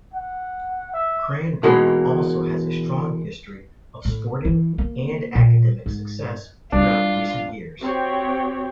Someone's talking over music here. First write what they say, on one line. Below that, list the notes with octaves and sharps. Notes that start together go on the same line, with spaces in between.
Cranbrook also has a strong history of sporting and academic success throughout recent years.
F#5
E5
B2 E3 G#3 A#3 C#4 D#4
A2
E3
A#3
A#2
G#2
G3 D4 E4 F4
C4 F#4 G4 C#5 G5